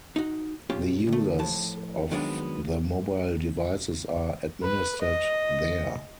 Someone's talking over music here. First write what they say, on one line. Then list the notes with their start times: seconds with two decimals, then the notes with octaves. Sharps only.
The users of the mobile devices are administered there.
0.16 D#4 F#4
0.70 B1 C#4 F4 G4
1.08 D3 A3
1.39 A2 F3 A5
2.11 F2 D#3 F#3 G#3 B3 D4
4.63 B4
5.01 D#5